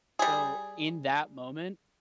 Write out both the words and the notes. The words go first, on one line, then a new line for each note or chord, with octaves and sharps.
So, in that moment,
G3 G#4